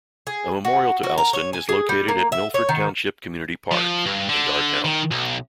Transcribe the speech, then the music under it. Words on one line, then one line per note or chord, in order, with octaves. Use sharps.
A memorial to Alston is located at Milford Township Community Park in Darrtown.
G#4
F#4
F#4
A#4
C#5
G#5
G#4
G3
A#3
E5
C#5
D#3
F3
G2
D3
D#3
B1